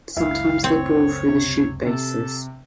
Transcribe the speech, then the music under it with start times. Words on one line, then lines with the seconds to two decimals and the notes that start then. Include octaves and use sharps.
Sometimes they bore through the shoot bases.
0.17 F#1 C#2 E4 E5 F5
0.64 C4 C#5
1.28 C3
1.87 C3 A4